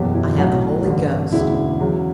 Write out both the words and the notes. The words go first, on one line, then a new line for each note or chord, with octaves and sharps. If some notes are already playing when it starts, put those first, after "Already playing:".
I have the Holy Ghost.
Already playing: F#1 E2 B2 F#3 G4
E4
B1 A2 F#3 F#4
A1 G2 D3
E1 D2 C#3 E4
E2 C#3 F#3